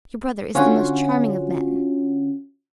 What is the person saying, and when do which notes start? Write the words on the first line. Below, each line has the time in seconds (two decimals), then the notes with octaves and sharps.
Your brother is the most charming of men.
0.55 D3 C#4 F4 F#4